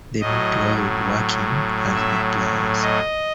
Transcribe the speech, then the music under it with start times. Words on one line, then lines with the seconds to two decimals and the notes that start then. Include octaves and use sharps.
They moved to Hollywood, working as bit players.
0.21 A2 F#3 D#5
1.95 E5
2.82 D#5